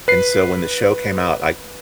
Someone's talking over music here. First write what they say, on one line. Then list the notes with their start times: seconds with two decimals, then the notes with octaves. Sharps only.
and, so when the show came out, I
0.08 B4 C7